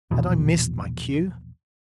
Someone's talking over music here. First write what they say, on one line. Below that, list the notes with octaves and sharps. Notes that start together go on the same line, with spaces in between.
Had I missed my cue?
A#1 E2 B2